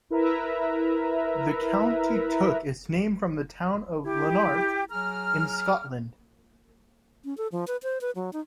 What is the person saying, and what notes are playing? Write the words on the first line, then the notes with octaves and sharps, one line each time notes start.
The county took its name from the town of Lanark in Scotland.
E4 A#4 B4 E5 A#5
E4 G4
F#3 G#4 A#5 F6
C#4
A4
F3
B4
C5
B4
F#3
D#4